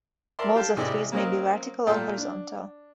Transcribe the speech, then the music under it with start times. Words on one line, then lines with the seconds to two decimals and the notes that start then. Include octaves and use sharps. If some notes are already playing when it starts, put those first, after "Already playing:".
Molds of trees may be vertical or horizontal.
0.39 A#4 D5 E5 A5 C6
0.55 G4 F5 G5 A5
0.76 A1 C3 E3 G#4 D5 D#5
1.12 F#3 A#3 C4 C#4 A#4 D#5
1.87 A#2 A3 A4 G5 C6
2.18 D4